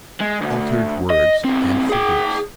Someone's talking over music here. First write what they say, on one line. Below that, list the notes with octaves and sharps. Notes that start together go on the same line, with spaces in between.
Altered Words and Figures.
G#3
D2
D#5
B1 C4
G#4 G5